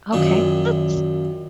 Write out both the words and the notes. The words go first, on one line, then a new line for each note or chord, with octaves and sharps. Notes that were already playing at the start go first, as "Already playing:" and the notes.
Okay, that's
F#2 A#2 D#3